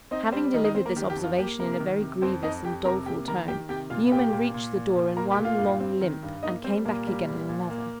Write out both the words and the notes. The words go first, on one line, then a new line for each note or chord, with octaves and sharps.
Having delivered this observation in a very grievous and doleful tone, Newman reached the door in one long limp, and came back again in another.
C4 D#4 D#5
G3 C4 C5
D#3 D#4 D#5
D#4 D#5
C4 C5
A#3 A#4
D#3 G4
G4
F2
F4
A#3 G4
C3 A#3 A#4
D#3
C3
F2 C4 C5
F2 D#4 D#5
F2 G4 G5
C3 A#4 A#5
A#3 G4 G5
D#3 A#4 A#5
D#3 G4 G5
C3 G4 G5
A#2 F4 F5
A#3 G4 G5
A#2
A#2
A#2
A#2
A#3 A#4 A#5
G4 G5
A#2
F4 F5
G2
C4
D#3
G2
A#3 D#4 D#5
G3 C4 C5
A#2 A#3 A#4
G3
A#2
A#2
A#3